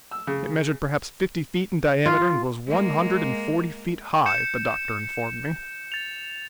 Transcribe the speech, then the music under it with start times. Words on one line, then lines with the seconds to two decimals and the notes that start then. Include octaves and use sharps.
It measured perhaps fifty feet in diameter and was one hundred and forty feet high, the Doctor informed me.
0.11 E6
0.27 C#3
2.06 F4
2.67 G#3 A#3
4.26 G6 C#7 E7
5.92 A6 F7